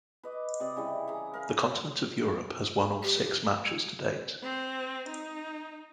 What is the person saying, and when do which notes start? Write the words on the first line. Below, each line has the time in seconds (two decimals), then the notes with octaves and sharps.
The Continent of Europe has won all six matches to date.
0.23 B4 D#5 D6
0.60 C3 D5 D#5
0.76 C#3 E3 G3 E4
1.08 E3 G#4 A#5
1.34 A#4 F5 G#5
3.03 G4
4.44 C4
5.10 D#4